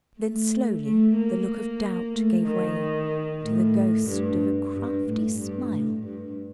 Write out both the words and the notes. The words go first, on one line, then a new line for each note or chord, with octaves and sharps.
Then slowly the look of doubt gave way to the ghost of a crafty smile.
A3
A3
A#3
A3
D#3
A2
G2
G2
A2
G2
A2
G2